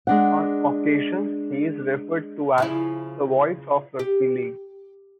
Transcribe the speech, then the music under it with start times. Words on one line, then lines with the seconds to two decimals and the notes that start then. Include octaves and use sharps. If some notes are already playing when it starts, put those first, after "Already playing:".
On occasions he is referred to as "The Voice of Rugby League".
0.07 G#3 D4 F#5
2.58 C#3 F3 E4
3.99 G4